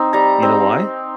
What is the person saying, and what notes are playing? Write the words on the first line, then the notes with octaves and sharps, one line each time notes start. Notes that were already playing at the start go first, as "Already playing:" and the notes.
You know why?
Already playing: C4 D#4
G3 A#5
C4 D#4